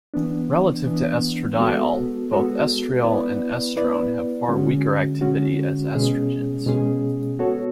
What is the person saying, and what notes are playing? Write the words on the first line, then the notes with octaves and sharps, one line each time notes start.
Relative to estradiol, both estriol and estrone have far weaker activity as estrogens.
E3 B3 D4
E3 B3 D4
G#3 B3 F#4 A4
G#3 B3 F#4 A4
B3 E4 B4 D5
B3 E4 B4 D5
D3 G#3 C#4 F#4
D3 G#3 C#4 F#4
B2 G#3 C#4 G#4
B2 G#3 C#4 G#4
B3 F#4 A4 C#5